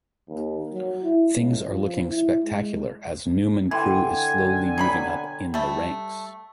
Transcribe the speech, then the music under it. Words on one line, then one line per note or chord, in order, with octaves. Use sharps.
Things are looking spectacular as Newman Crew is slowly moving up in the ranks.
D#2
F#3
E4
C#2
F3
E4
G#3
D3 E3 G5 G#5 C6 G#6
B2 F#3 B5
G3 A3